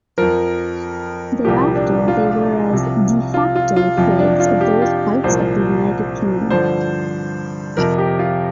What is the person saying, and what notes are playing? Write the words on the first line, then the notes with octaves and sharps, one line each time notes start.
Thereafter they were as "de facto" flags of those parts of the United Kingdom.
F2 F3 A#4
C2 A#2 F3 G4
D4
F4
C2 C3 F3
F4
F4
F4
F2 C3 F3 F4
D4
F4
G4
F4
C2 A#2 F3 C5
G2 D3 F3 C5
F2 C3 F3 A#4
G4
F4